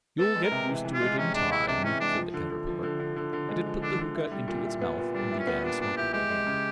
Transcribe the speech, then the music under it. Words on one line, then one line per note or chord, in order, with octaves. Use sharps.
'You'll get used to it in time,' said the Caterpillar; and it put the hookah into its mouth and began smoking again.
B3 A4
G#3
A#4
C3
E3
E3
F4
G#3
C3 C#4
G#3 D4
G#3 E4
C3 D4
E3 C#4
G#3 D4
F3
D3
D3
F3
D3
D3
D3
D3
G#3
F3
D3 D4
D3
E4
G3
A#2
E4
B3
A#2
G3 D4
E4
C#4
B3
A#2 D4
A#2 D4
E4 G4
G#3 G4
G#3
C#3